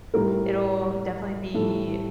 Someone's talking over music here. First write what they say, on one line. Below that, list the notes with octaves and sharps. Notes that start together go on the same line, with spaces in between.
it'll definitely be
A2 G3 A#4
A2 G3 A4